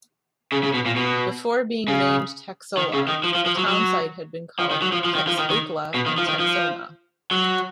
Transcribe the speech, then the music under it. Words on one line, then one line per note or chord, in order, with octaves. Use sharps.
Before being named Texola, the town site had been called Texokla and Texoma.
C#3
C#3
B2
A#2
B2
C#3
D#3
C#3
D#3
F3
F3
F3
F#3
F#3
F3
D#3
F#3
F3
F3
D#3
F3
D#3
D#3
B2
D#3
F3
D#3
F3
F#3